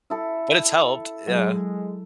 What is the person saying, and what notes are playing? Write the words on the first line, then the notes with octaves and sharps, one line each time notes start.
But it's helped, yeah.
E4 A4
F#3 G#3